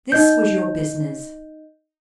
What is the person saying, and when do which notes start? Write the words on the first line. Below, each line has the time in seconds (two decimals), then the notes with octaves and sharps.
This was your business!
0.12 D#4 D#5 G6